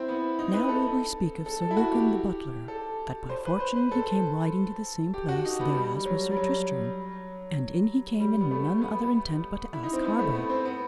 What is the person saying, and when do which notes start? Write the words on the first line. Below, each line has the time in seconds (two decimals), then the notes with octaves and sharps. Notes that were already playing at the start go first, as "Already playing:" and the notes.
NOW will we speak of Sir Lucan the butler, that by fortune he came riding to the same place thereas was Sir Tristram, and in he came in none other intent but to ask harbour.
Already playing: C4 E4
0.08 B3
0.39 D#4
0.53 B4
0.69 A4
1.46 A4
1.62 A4
1.71 E4
1.77 F#4
1.93 G4
2.68 A4
3.29 C5
3.46 B4
3.60 C5
3.76 B4
3.92 A4
5.14 G4
5.29 F#4
5.45 D#4
5.60 B3
5.75 G3
6.00 G3
6.05 F#3
6.32 G3
6.37 F#3
8.20 G3
8.41 B3
8.51 A3
8.82 B3
9.73 E4
9.83 D#4
9.93 C4
10.04 B3
10.19 A3
10.35 B3
10.50 C4
10.65 B3